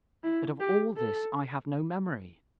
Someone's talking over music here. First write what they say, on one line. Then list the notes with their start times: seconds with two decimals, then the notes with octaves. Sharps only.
But of all this I have no memory.
0.24 E4
0.60 G4
0.97 A4